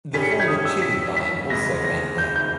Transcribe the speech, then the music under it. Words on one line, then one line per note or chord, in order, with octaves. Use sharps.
The former Chili Line also ran there.
G2 G3 C#4 G#4 B6
C#7
B6
G#6
D#6
E6
B6
B6
E2 C#3 G#3 A#6
A#6
G6
G6